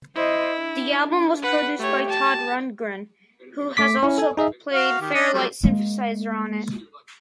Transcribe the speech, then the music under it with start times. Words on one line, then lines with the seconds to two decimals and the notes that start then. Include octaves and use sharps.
The album was produced by Todd Rundgren, who also played Fairlight synthesizer on it.
0.16 E4 C5 D#5
0.59 D4
1.42 B4 F#5
1.79 A3 G4 C#5
2.09 A5
3.77 A3 D6 B6
4.03 C#4 E4
4.18 A4 G#5
4.37 D#4 G#4 D#5 E5
4.73 F#4 F5
5.01 D#3 G4
5.14 D4 D#5
5.33 F#3 G3 A3
5.63 G#3 A#3